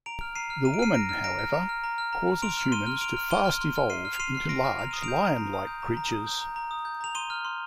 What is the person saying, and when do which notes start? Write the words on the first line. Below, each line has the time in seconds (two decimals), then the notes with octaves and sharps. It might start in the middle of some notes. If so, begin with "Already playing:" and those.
The woman, however, causes humans to 'fast-evolve' into large lion-like creatures.
0.06 A#5 D7 F7
0.21 F6
0.35 A#5 C7 D#7
0.50 F6
0.65 A#5 D#7
0.74 D7
0.79 F6 C7 D#7
0.94 A#5 A#6 D7
1.09 F6
1.24 A#5 A#6 D7
1.39 F6
1.53 A#5
1.69 F6
1.84 A#5
1.98 F6
2.13 A#5
2.27 F6
2.42 C6 D7 F7
2.57 F6
2.72 C6 D#7 G7
2.87 F6
3.01 C6 D7 F7
3.17 F6
3.31 C6 D#7 G7
3.45 F6
3.61 C6
3.75 F6
3.90 C6 C7 D#7
4.05 F6
4.13 F7
4.20 C6 C7 D#7
4.35 F6 C7
4.49 C6 A#6 D7
4.64 F6
4.79 A#5 F7
4.91 D#6 D#7
5.03 G6 D7 F7
5.23 A#5
5.38 A#5
5.53 D#6
5.67 G6
5.82 A#5
5.97 A#5
6.12 D#6
6.27 G6
6.41 A#5
6.56 A#5
6.71 D#6
6.85 G6
7.01 A#5 F7
7.15 C6 D#7 G7
7.30 F6
7.45 C6